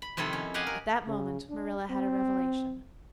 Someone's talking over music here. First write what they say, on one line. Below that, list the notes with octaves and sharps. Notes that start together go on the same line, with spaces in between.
At that moment Marilla had a revelation.
B5
F2 C3 D#3 E4 A4
C#4
G4 D#5 F5 F#5 G#5
A#4
C#3
D4
C4